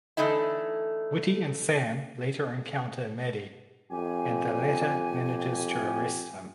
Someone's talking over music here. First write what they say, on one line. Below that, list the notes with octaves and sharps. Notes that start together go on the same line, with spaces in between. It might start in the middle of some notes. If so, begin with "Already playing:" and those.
Witty and Sam later encounter Maddie and the latter manages to arrest him.
D3 E3 A3 D#4 E4
F2 G4 G#5